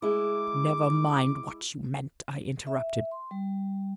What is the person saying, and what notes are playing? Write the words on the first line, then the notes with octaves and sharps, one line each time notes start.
"Never mind what you meant!" I interrupted.
G#3 E4 D6
E5
C6
G3